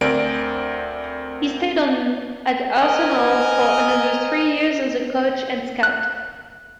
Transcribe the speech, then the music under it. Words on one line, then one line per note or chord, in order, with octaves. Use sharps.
He stayed on at Arsenal for another three years as a coach and scout.
D2 C4 A#4 D5 D7
C4 A#4 D#5 G#5
F#6